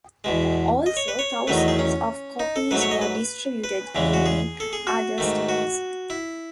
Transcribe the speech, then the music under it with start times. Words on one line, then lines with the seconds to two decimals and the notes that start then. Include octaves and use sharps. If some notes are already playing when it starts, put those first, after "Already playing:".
Also, thousands of copies were distributed in the other states.
0.24 E2 B2 G#3
0.86 D#5
0.97 C#5
1.08 B4
1.19 C#5
1.47 E2 D#3 F#3 A3 B4
1.57 D#5
1.68 G#4
1.79 C#4
2.40 D#4
2.56 A4
2.71 G#2 F#3 A3 B4
2.82 C#5
2.91 D#5
3.01 B4
3.64 B4
3.95 E2 C#3 E3 G#3
4.13 F#4
4.26 G#4
4.60 A4
4.73 G#4
4.87 F#4
5.18 G#2 D#3 A3
5.49 F#4
6.10 E4